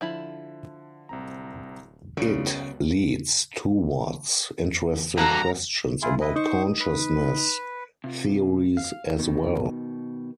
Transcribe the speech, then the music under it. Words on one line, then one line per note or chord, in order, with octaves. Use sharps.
It leads towards interesting questions about consciousness theories as well.
D3 F3 E4 B5
D1 C2 C4 A#5
C#2 F#2 C#3 G3 B3 F#4
G2 A#3 F#4 A4 A#5
E4 F4 G#4
E4 B4 D#5
D#4 C5 C#6
B4
C3 F4
F5
B2 D#3